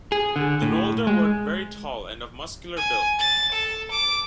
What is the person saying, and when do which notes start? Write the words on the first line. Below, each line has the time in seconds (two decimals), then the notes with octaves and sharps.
The Noldor were very tall and of muscular build.
0.12 G#4
0.36 D3
0.62 A2
1.07 G#3
2.77 G#5
3.19 A6
3.52 A4
3.91 D6